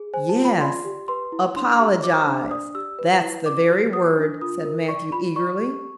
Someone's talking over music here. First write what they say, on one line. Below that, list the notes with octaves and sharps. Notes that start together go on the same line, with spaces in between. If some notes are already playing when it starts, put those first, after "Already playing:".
"Yes--apologize--that's the very word," said Matthew eagerly.
Already playing: G#4
C5 G#5
A5
F4
B5
D5 C6
G4
B4 C6
E4
D4 C6
G4
C5 D6
D4
D5 D#6
G4 E6
B4
E4
D5 D6
F#4
B4 D#6
D4
F4 D#6
A#4
D5 C#6
F4 B5
D5 C#6
G4